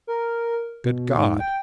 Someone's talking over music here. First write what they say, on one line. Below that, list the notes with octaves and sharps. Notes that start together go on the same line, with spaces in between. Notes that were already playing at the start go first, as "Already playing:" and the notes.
"Good God!"
A#4
B2
G#2
G5